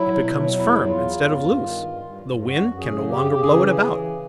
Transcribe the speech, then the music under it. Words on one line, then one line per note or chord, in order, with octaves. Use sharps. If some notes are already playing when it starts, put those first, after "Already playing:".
It becomes firm, instead of loose; the wind can no longer blow it about.
Already playing: F#3 E4
B2
F#3
E2 E4
F#3
F4
E2
G2
G2
D#3
G2
G2
G2
F#2 F#4
F#2
G#4
C#3
C#3 G4
C#3 G4
G#4
E3